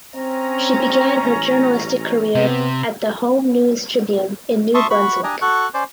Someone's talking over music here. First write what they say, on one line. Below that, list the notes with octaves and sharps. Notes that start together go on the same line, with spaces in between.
She began her journalistic career at the "Home News Tribune" in New Brunswick.
C4 C#4 A#5
A1
C3 B3
E5 A5 C6 C#6 D#6
F#4 B5 C#6
D4 G4 G#5 A#5 D#6
F#4 A4 C#6 F#6
C#4 C5 D5